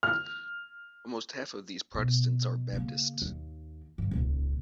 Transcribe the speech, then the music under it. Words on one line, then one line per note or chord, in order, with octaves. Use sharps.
Almost half of these Protestants are Baptists.
F6
B2
C#3 A#3
D#2
G2 D3
D#1 C#2